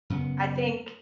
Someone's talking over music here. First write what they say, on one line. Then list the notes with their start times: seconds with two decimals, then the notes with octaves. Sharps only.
I think
0.10 F#2 C#3 B3